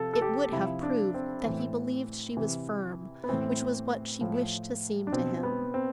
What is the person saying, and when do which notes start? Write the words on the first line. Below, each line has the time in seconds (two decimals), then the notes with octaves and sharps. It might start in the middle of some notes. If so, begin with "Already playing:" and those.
It would have proved that he believed she was firm--which was what she wished to seem to him.
Already playing: C3 F3 A4
0.13 A4
0.22 G4
0.52 C3 F3 E4
0.83 D4
1.14 C4
1.45 A2 E3
2.37 C3 E3
3.24 B3
3.29 A2 E3 C4
4.21 A2 F3
5.07 D4
5.13 B2 C4
5.43 B3
5.74 C4